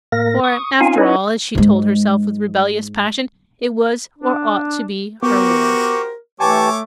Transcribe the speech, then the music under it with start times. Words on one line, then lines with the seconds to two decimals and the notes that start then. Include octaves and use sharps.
For, after all, as she told herself with rebellious passion, it was or ought to be her world.
0.12 A2 A#3 A#4 A#6
0.44 C#6 D#6
0.81 C4 C#4 D#4 F4 F5 G#5
0.98 C#4 D#4 E4 B4 C#5 D#5
1.55 G#2 G#3
4.18 D4
5.23 B3 F#4 G4 A#4 C5 C#6 D6
6.40 E3 A3 G4 C#5 G#5 A5 C#6 D6